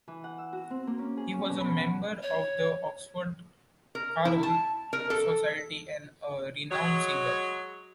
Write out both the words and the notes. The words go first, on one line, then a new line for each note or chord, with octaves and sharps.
He was a member of the Oxford Choral Society and a renowned singer.
E3
F#5
E6
F#4
C4
A#3
C#4
G#4
C#4
B2
B5
F#5
C#5
A#4
E4
A5
A#4
A4
F#3 G#3 C#5